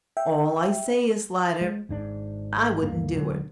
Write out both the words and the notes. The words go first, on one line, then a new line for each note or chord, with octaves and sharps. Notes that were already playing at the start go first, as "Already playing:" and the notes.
All I say is, Slider, I wouldn't do it.'
E5 G5
G#3
G#1 G#2 D4
D2 G2 A#3
E1 D3 F#3